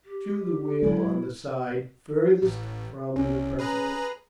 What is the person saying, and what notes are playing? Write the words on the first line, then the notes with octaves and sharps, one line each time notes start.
Shoe the wheel on the side furthest from the precipice.
G4
F#3 G#3 E4
A1
C2 C#4
G#4 B4 A#5